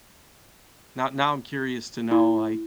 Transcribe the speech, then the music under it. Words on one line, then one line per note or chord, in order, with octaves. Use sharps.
now now I'm curious to know, like,
E4